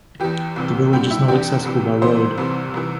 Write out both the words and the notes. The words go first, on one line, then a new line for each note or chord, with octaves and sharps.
The village is not accessible by road.
E2 E3 G4
C2 C3 E3
G2 D3 G4
E4
E2 D3 G4
C2 C3 E3
C2 C3 E3 C5
C2 C3 E3
C2 C3 E3